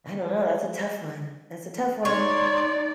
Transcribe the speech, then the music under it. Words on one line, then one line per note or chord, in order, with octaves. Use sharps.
I don't know. That's a tough one. That's a tough one,
D#4 C#5 D5 C6